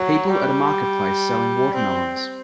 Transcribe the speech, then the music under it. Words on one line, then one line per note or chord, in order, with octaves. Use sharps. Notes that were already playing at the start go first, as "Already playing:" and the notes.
People at a marketplace selling watermelons.
Already playing: F#3
G3
C4